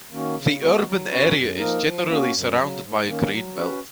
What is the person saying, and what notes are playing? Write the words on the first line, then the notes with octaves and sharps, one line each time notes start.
The urban area is generally surrounded by a green belt.
D#3 A#3 C#4 F#4
C#3
G#3 B3 F#4
F#3
C#4 F#4 B4
F#2
F3 A#3 D#4 A#4
F3
A#3 C#4 F#4
F#2
C#3 F#3
G#2
D#3 A#3 C#4
F#3
C#4 F#4 B4